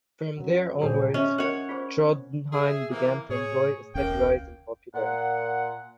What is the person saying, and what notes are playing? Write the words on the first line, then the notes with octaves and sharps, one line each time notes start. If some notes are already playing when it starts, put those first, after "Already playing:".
From there onwards, Trondheim began to enjoy a steady rise in popularity.
F#2 F#3
D#1 A#2 G#4 C5
C#4 D#5 E5
A#4 C#5 D#5 F#5
F4 G#4 C5
G#4 E5
C3 E3 A#3
A2 G#4 C#5
E1 C#2 A2 A#3 C#4 G5
A#2 F#5